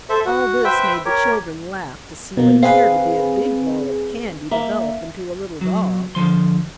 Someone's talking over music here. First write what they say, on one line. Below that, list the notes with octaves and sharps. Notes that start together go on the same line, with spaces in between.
All this made the children laugh to see what appeared to be a big ball of candy develop into a little dog.
A4 C5 E5
F#4
B4 C5 E5 G5
G4 A#4 C#5
B2 A#3
C4 G#4 B4 F5
A#3 E5
F#3
D3 F3 C6